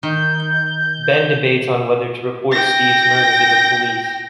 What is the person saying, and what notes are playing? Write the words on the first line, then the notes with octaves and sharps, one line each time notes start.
Ben debates on whether to report Steve's murder to the police.
D#3 G6
G5 A#6